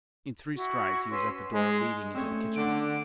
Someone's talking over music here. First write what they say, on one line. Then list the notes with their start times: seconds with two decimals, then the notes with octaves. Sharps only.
In three strides he was at the door leading into the kitchen.
0.55 E4 F#4
1.10 C#4 B4 C6 E6
1.54 G#3
2.15 A3 C4 C#4 C#5
2.56 D3 D6